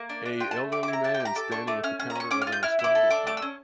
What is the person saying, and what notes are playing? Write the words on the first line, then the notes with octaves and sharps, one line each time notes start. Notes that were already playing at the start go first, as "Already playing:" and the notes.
A elderly man standing at the counter of an establishment.
Already playing: A#3
D4
D4
F4 G5
A5
A3
G4 D6
D6
E4
A#5
G4 A5
G5
G4
A#5
A4 D6
D4 C#6
A3 D6
C#4 F6
C#4 F6
A#5
C#4 C#6
C#4 D6
F6
F4
G6
E4 F6
E4
D6
A4
D4 D6
A3 D6
E6
C#4